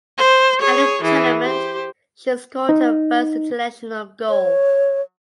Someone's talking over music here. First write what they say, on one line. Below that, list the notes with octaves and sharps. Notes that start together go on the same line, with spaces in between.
At the tournament she scored her first international goal.
C5
G#4 C#5
E3 G#4
G4 C5
D#4
C#5